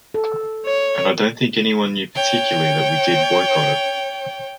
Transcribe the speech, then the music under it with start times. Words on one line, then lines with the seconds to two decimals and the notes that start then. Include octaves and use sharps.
And I don't think anyone knew particularly that we did boycott it.
0.14 A4
0.66 C#5
2.16 C#5 G5